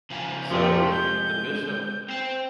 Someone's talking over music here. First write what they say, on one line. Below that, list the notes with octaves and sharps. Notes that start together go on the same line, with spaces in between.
so, the Bishop,
C#3 F3 G#5
F2 C3 F3 A3
G#3 G6
C4 C5